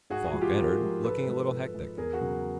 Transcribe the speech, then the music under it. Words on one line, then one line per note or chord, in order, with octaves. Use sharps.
Falk entered, looking a little hectic.
G#2 F#4 G#4
F#4 G#4
F3 G#3
F4 G4
G#2 G#4 A#4
F3 G#3
G#2 A4 B4
F3 G#3
G#2
F3 G#3
E2 G#4 A#4
F#4 G#4
C#3 F#3